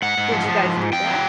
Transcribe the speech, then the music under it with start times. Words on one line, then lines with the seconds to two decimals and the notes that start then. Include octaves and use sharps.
Did you guys do that?
0.02 G#2 F#5
0.17 G#2
0.32 F3
0.48 F3
0.63 G#2
0.77 G#2
0.92 F2 G5
1.07 F#3